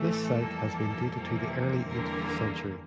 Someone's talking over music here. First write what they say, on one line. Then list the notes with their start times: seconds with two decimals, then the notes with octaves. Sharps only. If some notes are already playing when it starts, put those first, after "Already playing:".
This site has been dated to the early eighth century.
Already playing: A2 E3 A3 A4
0.38 F2 E3 G3 A#3
1.13 F2 C3 E3 G3 A#3
1.87 E2 D3 G3 A#3 A#4